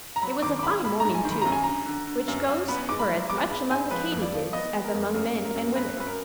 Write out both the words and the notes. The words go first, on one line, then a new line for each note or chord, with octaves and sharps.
It was a fine morning, too, which goes for as much among the Katy-dids as among men and women.
A#5
F#3 B5
D#3 D6
D6
G#2 B5
G#2 B5
G#2 A#5
G#5
D#3
B5
F#2 A#5
G#5
D3 A#5
D3
D3
F#2
F#2
B3 B5
G#2 D6
B5
F#3
B3 D6
G#2 B5
G#2 G#5
F3 B4
F2
D5
F3
B3 D#5
B3
A#4
F2
F#2 A#4
F#2
A#4
F#2
F#2 B4
F#2 B4
A#4